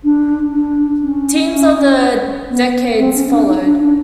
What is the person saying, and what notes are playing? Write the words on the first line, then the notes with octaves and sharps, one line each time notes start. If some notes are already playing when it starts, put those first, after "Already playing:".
Teams of the decades followed.
D4
D4
C#4
B3
C4
C#4
D4
D#4
D4
D4